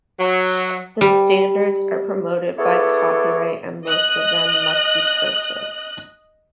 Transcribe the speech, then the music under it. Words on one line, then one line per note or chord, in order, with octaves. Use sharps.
The standards are protected by copyright and most of them must be purchased.
F#3
G3
B3 E4 G#4 A4 C#5 D5
D#5 F#6